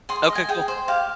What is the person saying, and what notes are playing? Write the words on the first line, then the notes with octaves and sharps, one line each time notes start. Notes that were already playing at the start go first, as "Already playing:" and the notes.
Okay. Cool.
G#4 C6
D#5
G#5
G#4 G5
C5
G4 F5